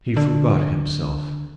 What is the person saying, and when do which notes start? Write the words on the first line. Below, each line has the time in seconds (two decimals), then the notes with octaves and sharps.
He forgot himself.
0.17 D3